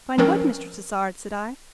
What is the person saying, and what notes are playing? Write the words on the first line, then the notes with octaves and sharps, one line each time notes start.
"Find what, Mr. Tassard?" said I.
F3 C4 C#4 A#4 C#5